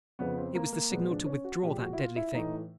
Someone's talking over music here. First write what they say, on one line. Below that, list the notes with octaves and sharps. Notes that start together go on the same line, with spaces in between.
It was the signal to withdraw that deadly thing.
F2 C#3 F3 B3
C4
A#3
A#3
A#2 F3 G#3 B3
D4
C#4
F#4
A#2 F3 G#3 G4
F#4
E4
F4
E4
A2 E3 A3 D#4